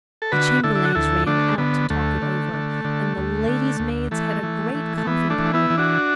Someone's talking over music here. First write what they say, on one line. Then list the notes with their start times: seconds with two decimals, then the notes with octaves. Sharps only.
The chamberlains ran out to talk it over, and the ladies'-maids had a great coffee party.
0.22 A4
0.32 D3 F#4 B4
0.64 D3 E4 A4
0.75 E4
0.85 F#4
0.95 D2 E4 A4
1.27 D3 A3 D4
1.58 D3 B3
1.90 D2 A3
2.22 D3
2.54 D3
2.85 D3
3.17 D2
3.48 D3
3.80 D2
4.11 E3 A3
4.43 E3
4.75 E3
4.98 A3
5.07 E3 B3
5.30 A3 D4
5.38 E3
5.54 B3 E4
5.70 E3
5.78 D4 F#4